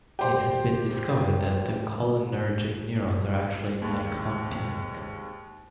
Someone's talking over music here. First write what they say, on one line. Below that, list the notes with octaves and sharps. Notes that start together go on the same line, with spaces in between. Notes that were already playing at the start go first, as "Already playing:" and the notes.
It has been discovered that the cholinergic neurons are actually nicotinic.
G4 C5
D#2 G#2